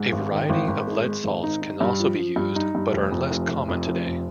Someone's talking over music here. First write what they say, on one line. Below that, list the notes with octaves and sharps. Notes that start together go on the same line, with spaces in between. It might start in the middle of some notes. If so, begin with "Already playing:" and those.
A variety of lead salts can also be used, but are less common today.
Already playing: G#2
G#1
D#3
G#1
G#1
G#3
G#3
G#1
D#4
D#4
G2
F3
F3
G2
D#4
G2
F1
F2
F1
F1
F2
F1
F2